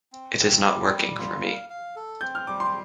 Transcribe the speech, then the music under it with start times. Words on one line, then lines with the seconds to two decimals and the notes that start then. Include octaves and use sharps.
It is not working for me.
0.12 C4
0.39 C4
0.64 G3 D6
0.91 G3
1.17 F4
1.43 F5
1.70 F5
1.96 A4
2.21 C4 G6
2.35 F6
2.47 G3 D6
2.60 C6